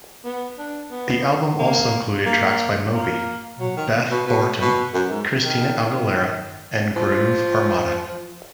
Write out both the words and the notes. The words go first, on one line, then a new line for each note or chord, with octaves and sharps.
The album also included tracks by Moby, Beth Orton, Christina Aguilera, and Groove Armada.
B3
D4
B3
A#3
A#3
A#3
F#3
D#3
B2
B2
B2
F#2
G#2
D#3
F3